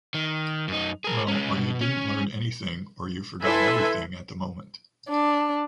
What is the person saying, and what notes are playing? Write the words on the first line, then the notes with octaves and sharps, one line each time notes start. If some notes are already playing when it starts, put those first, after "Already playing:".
Well or you didn’t learn anything or you forgot everything at the moment.
D#3
F#2 D#4
G#4 A#4
G#3 C#4
B2
C#4
E4 A4 B4 E5 G#5 C6
D4